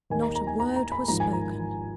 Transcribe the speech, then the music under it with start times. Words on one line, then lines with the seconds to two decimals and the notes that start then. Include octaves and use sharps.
Not a word was spoken.
0.10 D#2 D#3 A#3 D#4 G#5
0.23 A#5
0.35 A#5
0.47 G#5
0.60 A#5
0.76 A#5
0.92 B5
1.08 G#1 G#2 F3 A#5
1.20 G#5
1.33 A#5